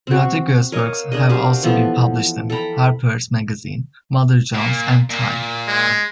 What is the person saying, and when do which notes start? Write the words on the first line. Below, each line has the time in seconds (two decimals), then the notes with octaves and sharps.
Rodriguez's works have also been published in "Harper's Magazine", "Mother Jones", and "Time".
0.07 C4 F#4
0.72 A#4 C#5 D#5 F5
1.12 D4 G#4 D#5
1.29 F#4 G4 C5 F5
1.63 E3 F3 B3 A4
2.50 A4 G5 A#5 B5
4.55 A#2
5.10 A#2
5.68 G#3